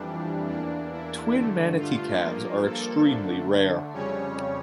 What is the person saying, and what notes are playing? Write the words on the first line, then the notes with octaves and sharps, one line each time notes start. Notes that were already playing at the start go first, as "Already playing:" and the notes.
Twin manatee calves are extremely rare.
Already playing: F2 E3 G3 D4
E2 E3 A#3 D4
E4
G2 D3 A3
F4
G2 F3 A#3
A4
D3 A3 D4
F2 C#3 G3 C#4 C#5